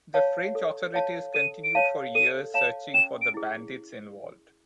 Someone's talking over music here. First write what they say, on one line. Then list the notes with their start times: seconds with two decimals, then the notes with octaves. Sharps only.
The French authorities continued for years searching for the bandits involved.
0.14 C#5 F5 A5
0.55 A4
0.94 C#5 F5 A5
1.34 A4 D#7
1.64 D7
1.75 C#5 F5 A5 D#7
2.15 A4 D#7
2.54 C#5 F5 A5 E7
2.94 C#4 E7
3.22 D7
3.34 E4 G#4